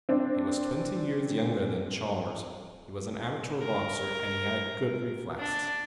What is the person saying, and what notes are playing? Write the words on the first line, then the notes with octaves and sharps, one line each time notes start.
He was twenty years younger than Chalmers, he was an amateur boxer, and he had good reflexes.
C4 D4
A#4
D4